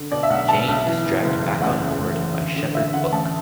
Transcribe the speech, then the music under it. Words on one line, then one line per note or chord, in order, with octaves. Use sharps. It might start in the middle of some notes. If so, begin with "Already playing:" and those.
Jayne is dragged back on board by Shepherd Book.
Already playing: D3
B2 D5
E5
B1 F#5
B2 A5
B1
E3
E3
F#1
E2
A1 F#5
A1
A1
A1
D2
D3
D2 E5
D3 F#5
A1 A5